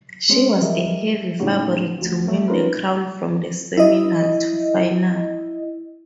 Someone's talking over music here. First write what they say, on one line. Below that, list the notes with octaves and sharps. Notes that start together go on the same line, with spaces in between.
She was a heavy favorite to win the crown from the semifinal to final.
G#3 C#4
G3 G#4 A#4 D#5 E5
A2 C#3 G#3 D#4 F#4 G4
D2 F3
A3
C#4 D#4 F4 G#4 A#4 B4
E4 D#5